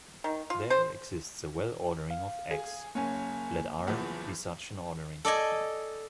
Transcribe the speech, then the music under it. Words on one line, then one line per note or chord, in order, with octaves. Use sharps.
There exists a well-ordering of "X"; let "R" be such an ordering.
D#3
F4
C5
F5
G#4
F#1 A#3 C#4 G#5
F#1 E2 F3
A4 D5 D#5 G#5